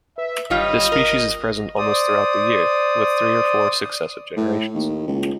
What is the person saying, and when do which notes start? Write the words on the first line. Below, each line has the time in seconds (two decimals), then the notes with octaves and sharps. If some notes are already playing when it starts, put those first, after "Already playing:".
This species is present almost throughout the year, with three or four successive generations.
0.18 B4 E5
0.50 G#1 G3 F4 C#5 D#5
0.92 A#4
1.77 C5 D5 D#6
4.37 A2
4.75 D#2
5.08 C#2